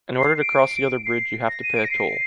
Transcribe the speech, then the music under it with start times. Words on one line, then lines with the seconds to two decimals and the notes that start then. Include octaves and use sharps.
In order to cross the other bridge you have to pay a toll.
0.18 C7
0.41 D7
1.06 C7
1.49 A#6
1.63 D#7
1.76 D7
1.84 A#6
1.91 C7